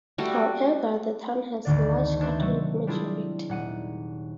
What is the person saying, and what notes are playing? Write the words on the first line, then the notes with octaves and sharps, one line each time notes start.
However, the town has a large Catholic majority.
G3 A3 F#4
G#1 D2 D3 D5
G#3 A3 D4 B4 C5 E5
C3 F#3 A3
G3 C4 D4 E4 F4 G#4
D#1 F#5 D#7